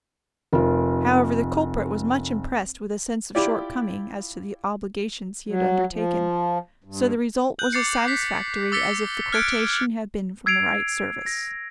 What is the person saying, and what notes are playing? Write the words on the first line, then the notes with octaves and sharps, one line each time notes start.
However, the culprit was much impressed with a sense of shortcoming as to the obligations he had undertaken; so the result was as satisfactory as if the quotation had been from the right service.
F1 F4 A#4
E4 F4 G4 D5
F#3
F3
G2
F#6 G6 F#7
D6 A6 C7 C#7
B6
D6 E6 A6 B6 C#7 G7
F6 F#6 G#6 A6 C#7 D7
E6 G#6 C7 D7 F7
A#6